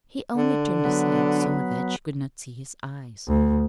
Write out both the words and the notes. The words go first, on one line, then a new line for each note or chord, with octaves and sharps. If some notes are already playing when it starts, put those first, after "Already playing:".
He only turned his head so that she could not see his eyes.
D3
F#3 B3
D2